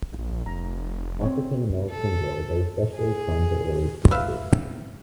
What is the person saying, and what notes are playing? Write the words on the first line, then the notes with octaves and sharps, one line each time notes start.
African-American girls are especially prone to early puberty.
A#1
F1 A#5
C4 C#5
A4
G#4
B4 E5 F5